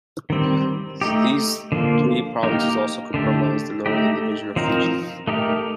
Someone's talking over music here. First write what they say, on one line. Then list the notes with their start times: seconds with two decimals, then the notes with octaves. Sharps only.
These three provinces also comprise the Northern Division of Fiji.
0.30 D#3 G3 C4
1.01 A3 D#4 G4
1.72 D3 F3 A#3
2.43 A#3 D#4 G4 A#4
3.14 D3 A3 D4 G4
3.86 A3 D#4 G4
4.56 F3 C4 D#4 A#4
5.27 A3 D#4 G4 A#4